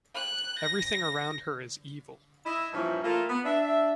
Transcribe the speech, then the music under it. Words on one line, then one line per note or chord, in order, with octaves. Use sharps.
Everything around her is evil.
F#6
A#6
E4 D#5
G2 A#2 E3 F3 C#4 E4
E3 A3 A#3 F4
B3
D4 E5